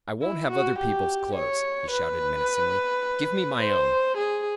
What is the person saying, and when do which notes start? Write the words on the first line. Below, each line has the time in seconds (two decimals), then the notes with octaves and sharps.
"I won't have other people's clothes!" he shouted menacingly, "give me my own!"
0.22 E4
0.51 F#4
0.79 G4
1.36 C#5
1.91 B4
3.61 C5
4.18 G#4